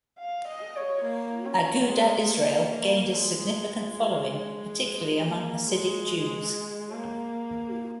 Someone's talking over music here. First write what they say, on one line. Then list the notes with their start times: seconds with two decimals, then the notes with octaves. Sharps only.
Agudath Israel gained a significant following, particularly among Hasidic Jews.
0.19 F5
0.47 D#5
0.76 C#5
1.03 A#3
1.45 C#4
1.88 G#3
2.29 A#3
2.71 A#3
3.14 G#3
5.24 A#3
5.66 G#3
6.92 A#3